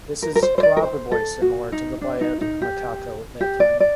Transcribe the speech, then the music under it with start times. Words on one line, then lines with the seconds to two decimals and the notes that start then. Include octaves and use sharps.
This is probably similar to the layout of Macaco at that time.
0.23 A#4
0.36 A#4
0.43 C5
0.58 C5
0.63 D5
0.77 A#4
0.83 C5
1.12 A4
1.42 F#4
1.72 D#4
2.01 D4
2.21 D#4
2.41 D#4
2.62 G4
3.41 G4
3.60 D5
3.80 D5